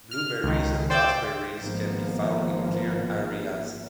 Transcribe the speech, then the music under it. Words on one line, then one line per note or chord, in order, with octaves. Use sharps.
Blueberries and raspberries can be found in cleared areas.
F6
C#2 D#3
C5 D5 G5 D6 E6
G#1 F3 A#3 B3